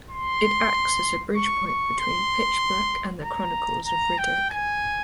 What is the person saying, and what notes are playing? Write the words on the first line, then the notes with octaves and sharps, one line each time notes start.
It acts as a bridgepoint between "Pitch Black" and "The Chronicles of Riddick".
C6
C#6
C#6
C6
A#5
A#5
G5
G#5